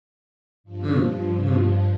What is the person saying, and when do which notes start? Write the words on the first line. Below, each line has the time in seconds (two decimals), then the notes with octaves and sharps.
Mm, mhm.
0.64 G2 F3